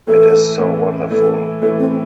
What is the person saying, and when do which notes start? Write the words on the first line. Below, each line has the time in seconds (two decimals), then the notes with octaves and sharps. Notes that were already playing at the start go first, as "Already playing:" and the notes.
It is so wonderful.
0.07 A2 E3 A3 E4 A4
0.59 A2 E3 A3 E4
1.10 A2 E3 A3 E4 A4
1.62 A2 E3 A3 E4 A4
1.79 C4